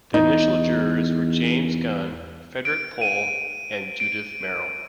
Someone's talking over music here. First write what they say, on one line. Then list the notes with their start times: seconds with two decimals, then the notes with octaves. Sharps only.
The initial jurors were James Gunn, Frederik Pohl, and Judith Merril.
0.14 E2 D#4
2.65 D7
3.01 D#7
4.00 D7